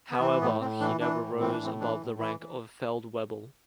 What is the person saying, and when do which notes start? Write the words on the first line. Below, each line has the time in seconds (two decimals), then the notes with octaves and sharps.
However, he never rose above the rank of Feldwebel.
0.11 B3
0.20 E3 C4
0.41 A2 B3
0.61 A2 C4
0.80 E3 D4
1.00 E3 D4
1.20 A2
1.40 E3 C4
1.52 D4
1.59 A2 C4
1.80 E3 D4
2.00 A2
2.19 E3 E4
2.39 E3